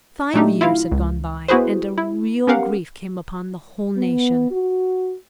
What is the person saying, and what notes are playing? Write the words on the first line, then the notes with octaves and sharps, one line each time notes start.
Five years had gone by, and a real grief came upon the whole nation.
A#2 F#3 A3 D4 D#4 G4
E4 F4 F5
C#2
B3 E4 F#4 G#4 B4 C5
E4
B3 C#4 G4 A#4 F5 F#5
B3
F#4